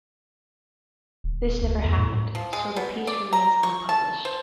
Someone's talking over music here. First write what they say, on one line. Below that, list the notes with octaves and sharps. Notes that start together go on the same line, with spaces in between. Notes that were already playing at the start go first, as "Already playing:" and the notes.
This never happened, so the piece remains unpublished.
D#1
D2
E2
A2
F3
G#3
B2
D5
A#5
C#6
A5
C5